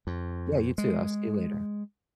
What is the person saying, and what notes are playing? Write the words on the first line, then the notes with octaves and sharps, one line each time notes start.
Yeah, you too. I'll see you later.
F2
G#3